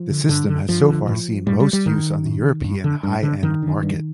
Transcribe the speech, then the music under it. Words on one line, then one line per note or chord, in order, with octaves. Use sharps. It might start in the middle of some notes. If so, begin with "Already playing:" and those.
The system has so far seen most use on the European high end market.
Already playing: F3
D3
G2 D3
D3
G2 F3
D3
A2
A2 G3
G3
G3
A2 D#3
A2
G2
D3
G2
D3
G2 D#3
D3
G2